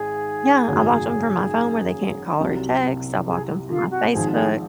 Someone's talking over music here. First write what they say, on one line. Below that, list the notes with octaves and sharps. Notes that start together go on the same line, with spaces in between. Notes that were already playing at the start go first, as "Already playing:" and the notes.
Yeah, I blocked ‘em from my phone where they can't call or text, I blocked ‘em from my Facebook.
Already playing: G#1 G#2 G#4
G#1 F#2 C#3 F#3 A#3
C2 C3 F#3
G#4
F4
F#4
G#1 G#2 F3 C4 F#4 G#4
G#4